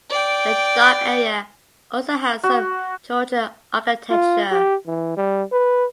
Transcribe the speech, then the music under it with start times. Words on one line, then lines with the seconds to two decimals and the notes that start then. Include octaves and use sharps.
The Dock area also has some Georgian architecture.
0.10 D5 G5
2.43 F#4
4.10 F4
4.51 G4
4.87 E3
5.17 G3
5.52 B4